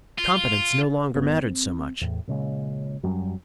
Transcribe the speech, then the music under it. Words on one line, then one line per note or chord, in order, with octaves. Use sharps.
Competence no longer mattered so much.
F4
G1 B3
C4
E2 A2
A#2 C#3 G#3 C#4
F#2 F#3 G3 C#4